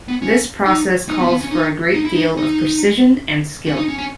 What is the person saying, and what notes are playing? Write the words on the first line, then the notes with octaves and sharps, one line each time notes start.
This process calls for a great deal of precision and skill.
B3
C#4
D#4
D#4
B3
B3
C#4
D#4
D#4
E4
D#4
D#4
C#4
D#4
C#4
C#4